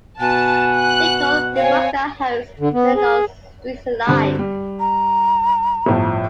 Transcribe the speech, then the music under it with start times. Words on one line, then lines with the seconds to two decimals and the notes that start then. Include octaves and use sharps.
Lincoln, Nebraska hosts an annual Streets Alive!
0.20 B2 F#5 G#5 A5
0.78 F#6
1.56 C4 C#5 F5 G#5
2.59 D3
2.73 B3
2.95 G#4
4.07 G2 D3 C4
4.39 G3
4.80 A#5
5.86 G1 A2 F3